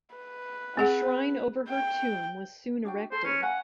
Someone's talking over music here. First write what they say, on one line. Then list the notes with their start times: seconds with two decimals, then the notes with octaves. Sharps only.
A shrine over her tomb was soon erected.
0.15 B4
0.77 C4 G#4 F#5
1.69 G5
2.85 D4 F#4 G5
3.12 A4 C5
3.25 C#4 B4
3.42 F5 F#5 G#5 A#5